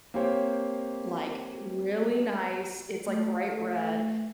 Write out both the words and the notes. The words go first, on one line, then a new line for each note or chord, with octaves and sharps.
like, really nice, it's like bright red
A#3 C4 G4 C5 C#5
A3